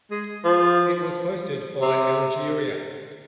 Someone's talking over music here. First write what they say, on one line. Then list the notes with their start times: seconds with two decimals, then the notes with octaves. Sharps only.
It was hosted by Algeria.
0.11 G#3
0.45 F3
1.82 C3